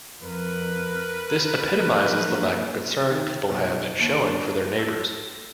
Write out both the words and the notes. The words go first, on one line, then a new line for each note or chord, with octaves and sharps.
This epitomizes the lack of concern people have been showing for their neighbours.
F2 A#4 B4
F3 F#3 A#3
D#3
B1
D#2
D4
A4